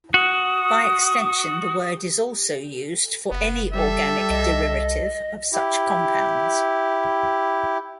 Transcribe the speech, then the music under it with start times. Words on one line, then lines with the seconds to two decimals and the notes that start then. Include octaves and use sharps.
By extension, the word is also used for any organic derivative of such compounds.
0.14 F#4 D#6
3.31 F#1 B3
3.73 G3 A4 E5
4.29 C2 D#5
5.53 E4 G4